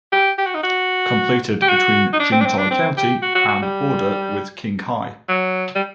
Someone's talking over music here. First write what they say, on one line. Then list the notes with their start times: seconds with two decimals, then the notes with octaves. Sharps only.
Completed between Jingtai County and border with Qinghai.
0.12 G4
0.38 G4
0.46 F#4
0.54 D#4
0.63 F#4
1.62 G4
1.68 F#4
2.13 D#4
2.19 D4
2.32 C4
2.41 D4
2.45 C4
2.58 D4
2.70 C4
2.97 G4
3.22 F#4
3.35 F#4
3.48 F#4
3.62 G3
5.29 F#3
5.75 G3